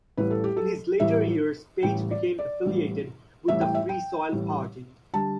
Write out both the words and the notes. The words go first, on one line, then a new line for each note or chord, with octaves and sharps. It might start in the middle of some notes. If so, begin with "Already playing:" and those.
In his later years Page became affiliated with the Free Soil Party.
A1 A2 E3 G3 B4
A4
G4
A4
A1 A2 E3 G3 E5
A1 A2 G3 G5
D5
D5
A1 A2 G3
A1 A2 G3 E5
G5
E5
G5
A1 A2 G3
D3 G3 A5